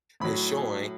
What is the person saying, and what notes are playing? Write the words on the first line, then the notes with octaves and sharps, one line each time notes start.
is showing
A2 F#3 B5